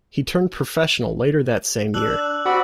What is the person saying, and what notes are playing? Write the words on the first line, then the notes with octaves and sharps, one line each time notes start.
He turned professional later that same year.
D4 E6 F#6 F#7
C4 F#4 D5 B5